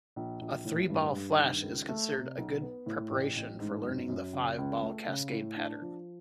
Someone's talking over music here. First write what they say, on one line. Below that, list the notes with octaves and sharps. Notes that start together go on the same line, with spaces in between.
A three-ball flash is considered a good preparation for learning the five-ball cascade pattern.
A#1
A#1
A2
G2
G2
D#3
C#2
A3
C3
B1
B3
A2
A1
A1
G#2
F#2
F#2
C#3
C#2
A3
C#3
A2
D4
F3